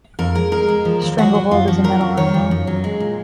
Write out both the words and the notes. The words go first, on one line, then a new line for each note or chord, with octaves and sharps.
Stranglehold is a metal rhino.
F2 A#4
G#3 A#4
G#3 A#4
G#3
F3
D#2
F#3 F#4
F#3
F#2 F4
F3 F#4
F#3 A#4
F2
D#3 C#5
F2
F#2
F#3
G#3
A#2